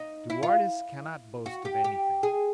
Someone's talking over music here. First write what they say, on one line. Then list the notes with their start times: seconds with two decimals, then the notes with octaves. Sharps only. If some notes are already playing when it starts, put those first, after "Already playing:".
"De Wardes cannot boast of anything."
Already playing: D#4
0.30 E4
0.43 F4
1.46 F#4
1.65 G4
1.84 G4
2.23 G#4